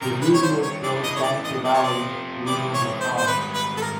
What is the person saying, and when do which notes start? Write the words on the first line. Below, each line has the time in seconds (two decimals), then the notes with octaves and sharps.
The video shows Dante Bowe leading the song.
0.01 C3 D#3 G3 C4 D#4 A#4
0.22 B4
0.34 C#5
0.43 C5
0.63 C#5
0.83 C#3 E3 A3 D4 D5
1.04 D#5
1.16 C#5
1.23 D5
1.44 D#5
1.64 C3 F3 A3 C4 F4 D5
1.74 C#5
1.83 D5
2.46 E3 G#3 C4 E4 D5
2.74 C#5
3.01 C5
3.17 C5
3.27 G#2 D#3 G3 B4
3.55 B4
3.77 A4
3.82 A#4